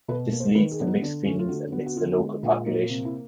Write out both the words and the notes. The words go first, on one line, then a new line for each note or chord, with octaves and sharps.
This leads to mixed feelings amidst the local population.
B2 B4
A#3
C5
D#3 B4
G#4
B3 D4
D#4
D3 D4
A3 C#4
F4
D3 F#4
B3
F#4
D3 F4
D#4
G#3
A#2 D4
A#3 D#4
C3
E4